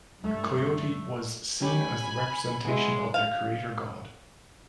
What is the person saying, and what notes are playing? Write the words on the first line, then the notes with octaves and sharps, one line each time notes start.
Coyote was seen as the representation of their creator god.
G2 A3
C#4 G4 G#5 B5
G#3 B3 E4
F5